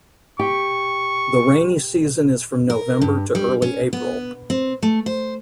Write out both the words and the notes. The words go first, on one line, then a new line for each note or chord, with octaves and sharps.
The rainy season is from November to early April.
G4 C#6
A#4
G2
G3
C#4
B3
C4
A3
C5